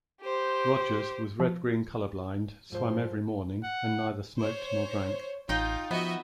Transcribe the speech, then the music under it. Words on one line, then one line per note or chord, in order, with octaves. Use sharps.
Rogers was red-green color blind, swam every morning, and neither smoked nor drank.
G4 C5
F3
G#2 F3 C5
F#5
C5 C#5
A1 D#4 F4 D#5 G5
F3 B3 F#4 D#5 E5